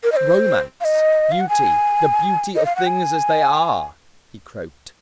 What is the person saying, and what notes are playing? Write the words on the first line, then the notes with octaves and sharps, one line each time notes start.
"Romance--Beauty--the Beauty of things as they are!" he croaked.
A#4
D#5
C5
F5
D#5
F5
F#5
G#5
D#5
F5
F#5
G#5